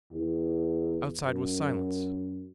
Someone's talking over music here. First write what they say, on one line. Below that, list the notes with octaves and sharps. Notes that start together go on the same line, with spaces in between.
Outside was silence.
E2
F#2